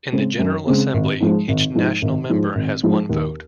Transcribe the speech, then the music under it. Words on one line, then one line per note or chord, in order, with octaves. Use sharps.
In the General Assembly, each national member has one vote.
C#3 G#3 C4
F#2
C#3 G#3 C4
G#1
G#2 F3 G#3
G#1
G#2 F3 G#3
G#1
G#2 F3 G#3
G#1
G#2 F3 G#3
D#2